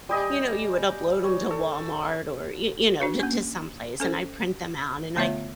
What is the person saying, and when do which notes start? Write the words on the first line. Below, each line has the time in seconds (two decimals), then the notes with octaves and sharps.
you know, you would upload 'em to Walmart or, y you know, t to someplace, and I print them out and I
0.09 G3 G4 D#5 G#5
1.24 C#5
1.51 A4
3.00 D4 F#4 B4
3.20 A#3 C#4
4.00 C#4 A4 C5
5.16 D3 A3 B3 F4 C#5 E5